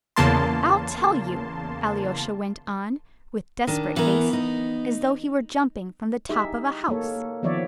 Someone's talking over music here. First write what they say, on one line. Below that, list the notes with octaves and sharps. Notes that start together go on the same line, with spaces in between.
"I'll tell you," Alyosha went on with desperate haste, as though he were jumping from the top of a house.
E2 C#3 A#3 A5 C6
D#3 D4
E3 B3 A#4
D#4
D#4 G4 G#4 E5
A#3 A4 C#5
D#3 F3 B3 C#5 D5 E5